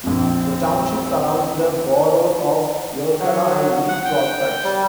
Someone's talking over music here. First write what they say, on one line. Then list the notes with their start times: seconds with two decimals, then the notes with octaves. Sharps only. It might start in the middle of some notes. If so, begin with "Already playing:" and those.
The township surrounds the boroughs of Yorkana and East Prospect.
0.03 A#1 F2 C4
3.20 F#3
3.88 F#5
4.05 G5
4.64 G3